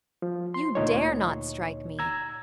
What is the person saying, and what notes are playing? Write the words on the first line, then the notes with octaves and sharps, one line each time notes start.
You dare not strike me!
F3
C6
D2 A#2 D#4 C#5
A#5 E6 G#6